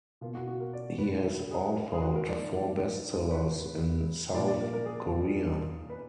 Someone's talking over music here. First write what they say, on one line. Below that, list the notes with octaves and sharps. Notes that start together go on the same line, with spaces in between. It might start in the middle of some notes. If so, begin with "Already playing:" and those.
He has authored four bestsellers in South Korea.
B2 A#3 F4
F#4
F#4
A#4
D5
B4
A#4
G#4
A#4
G#4
F#4
A#4
G#2 F3 A#3 D5
B4
A#2 F3 G#3 D5
D5
A#4
A#4
G#4
B4